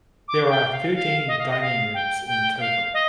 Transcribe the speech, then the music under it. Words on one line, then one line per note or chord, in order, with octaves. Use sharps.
There are thirteen dining rooms in total.
D6
F5
G5
F5
F5
D#5
F5
D#5
F5
G5
G5
F5
D#5